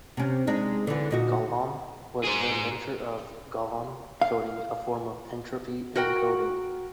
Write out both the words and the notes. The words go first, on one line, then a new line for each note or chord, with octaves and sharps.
Golomb was the inventor of Golomb coding, a form of entropy encoding.
C3 C#4
G#3 D4 D#4
D3 E3
A#2 D#4 F#4
G#4 C5
F5
F#4 A#4 G5